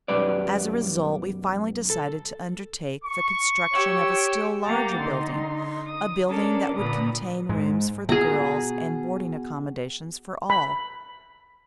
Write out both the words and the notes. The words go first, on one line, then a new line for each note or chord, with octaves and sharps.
As a result, we finally decided to undertake the construction of a still larger building--a building that would contain rooms for the girls and boarding accommodations for all.
B1 F#2 G3 B4 D5
A4
C#6
G4 C#5 E6
A#3 G4 F#5 G5 A#5 A6
D3 D#4 C6
D#6
C#4 D4 A4 A#4 D5
A#2 D3 A#4 B4 D#6
G#2 G#3
B2 G#4 A#5
B5